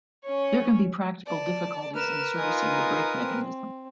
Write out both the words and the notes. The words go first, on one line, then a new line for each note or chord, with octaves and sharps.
There can be practical difficulties in servicing the brake mechanism.
C#4 C#5
D5 A5
A#4 B4 F6 E7
D#4 F4 G#5 D#6
C4